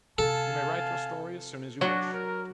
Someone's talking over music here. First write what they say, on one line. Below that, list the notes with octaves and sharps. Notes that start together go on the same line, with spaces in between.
You may write your story as soon as you wish.
C3 A4 F5 G#5 A5
F#3 D4 F#4
A#4